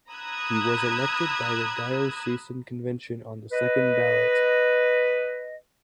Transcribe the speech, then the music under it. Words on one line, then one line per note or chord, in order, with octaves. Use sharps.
He was elected by the diocesan convention on the second ballot.
A#5 B5 D#6 E6 F#6 G#6
B4 D#5